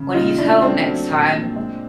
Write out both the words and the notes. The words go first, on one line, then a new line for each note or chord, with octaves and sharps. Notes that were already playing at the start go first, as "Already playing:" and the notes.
when he's home next time.
Already playing: C#3
A#1 D#4 F4
A#1 D4 E4
A3 C4 D4
F#3
A#2
A#1
G#3